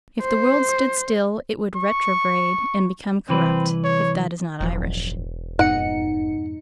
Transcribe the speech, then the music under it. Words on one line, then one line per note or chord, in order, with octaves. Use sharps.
'If the world stood still, it would retrograde and become corrupt, if that is not Irish.
C5
C#6
C2 E3 C4 B4
C#5
E1 A1 F3 F#3
F2 G#2 B2 D#4 F#5 C#7